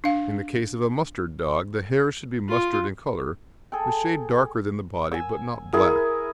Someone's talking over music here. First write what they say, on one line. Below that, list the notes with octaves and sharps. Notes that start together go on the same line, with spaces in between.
In the case of a mustard dog the hair should be mustard in colour, a shade darker than the body, but not black.
D4 F5
F4
G#4 A4 G5
G#5 E6
E4 G#4 A#4